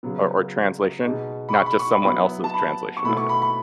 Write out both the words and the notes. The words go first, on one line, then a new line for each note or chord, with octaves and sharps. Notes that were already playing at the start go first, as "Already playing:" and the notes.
or or translation, not just someone else's translation of it.
C#3 F#3 B3
B2 G#3 D#4
B5
C#6
B5
C#6
B5
F#3 B3 E4 B5
A5
B5
C#6
B2 A3 E4 B5
C#6
B5
B5